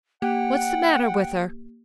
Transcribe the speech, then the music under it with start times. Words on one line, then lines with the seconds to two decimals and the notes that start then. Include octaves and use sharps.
What's the matter with her?
0.22 A#3 G4 F#5 G5